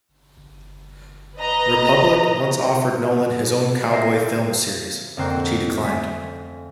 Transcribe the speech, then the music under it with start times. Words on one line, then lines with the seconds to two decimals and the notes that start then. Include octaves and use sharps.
Republic once offered Nolan his own cowboy film series, which he declined.
1.37 B4 D#5 A#5
3.90 C5 E5 F5 G#6 A#6 C7
5.17 F2 D3 A#3 C4 C6 F#6
5.84 A3 G#5 B6